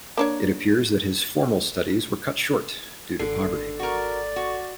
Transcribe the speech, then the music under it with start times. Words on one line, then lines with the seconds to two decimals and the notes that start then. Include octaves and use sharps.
It appears that his formal studies were cut short due to poverty.
0.17 A#3 D4 C#5
3.19 G#1 D3 A4 C7
3.79 F#4 A#4 D5
4.36 F#4